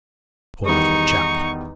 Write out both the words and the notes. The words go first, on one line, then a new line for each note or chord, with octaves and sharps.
Poor little chap!
E2 D#3 G3 D#4 C#6